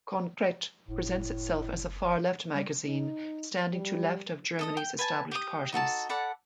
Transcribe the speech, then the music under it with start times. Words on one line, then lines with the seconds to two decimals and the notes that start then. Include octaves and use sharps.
"Konkret" presents itself as a far-left magazine, standing to left of Germany's established parties.
0.88 F#1 A2
2.55 G3
2.87 D#4
3.71 G3
4.59 A4 D#5 D#6
4.77 G5
4.99 B4 G#5 A5
5.31 G4 D#6
5.72 D#4 F#4 A4 A5
6.09 A4 D5 F#5 B5